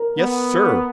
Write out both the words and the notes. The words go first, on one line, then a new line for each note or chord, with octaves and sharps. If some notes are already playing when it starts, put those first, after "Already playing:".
"Yes, sir!"
Already playing: A#4
B3